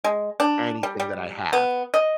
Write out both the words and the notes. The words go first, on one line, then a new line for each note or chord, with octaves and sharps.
anything that I have.
G#3
D4
G3
G3
B3
D#5